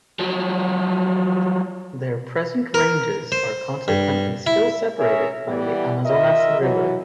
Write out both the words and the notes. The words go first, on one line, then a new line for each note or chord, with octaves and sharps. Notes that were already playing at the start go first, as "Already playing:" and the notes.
Their present ranges are consequently still separated by the Amazonas river.
F3 F#3
A#4
C5
G2
E4
C#4 G#4 A#4 C#5 E5
E3 G3 B3
F4 A#4 D#5 E5
E3 F#3